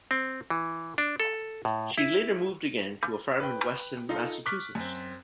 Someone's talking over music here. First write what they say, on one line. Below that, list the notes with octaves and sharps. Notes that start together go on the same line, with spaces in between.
She later moved again to a farm in Weston, Massachusetts.
C4
E3
D4
A4
A2
E4
B4 G5
D#4 F4 A4 D#5
C#6 D6 F6 F#6 B6
F#2 C4